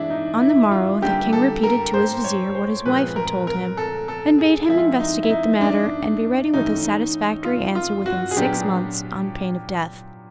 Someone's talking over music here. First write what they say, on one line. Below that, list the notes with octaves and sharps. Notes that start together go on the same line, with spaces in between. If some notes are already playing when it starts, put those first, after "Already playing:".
On the morrow the King repeated to his vizier what his wife had told him, and bade him investigate the matter, and be ready with a satisfactory answer within six months, on pain of death.
Already playing: E3 G#3 D4 E4
D#4
E4
F4
D3 G3 A#3 G4
A4
A#4
C5
C#5
C5
A#2 F3 G#3 C4 B4
A#4
A#4
A4
A4
G#4
F3 G#3 C4 E4
F4
E4
D#4
E4
D#4
D4
A2 E3 A3 C#4 D#4
F4
F4
F#4
G#4
A#2 F#3 B3 D4 G4